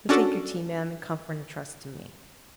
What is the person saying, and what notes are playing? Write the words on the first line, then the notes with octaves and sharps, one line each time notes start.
So take your tea, ma'am, in comfort, and trust to me.'
C#4 D4 F#4 A4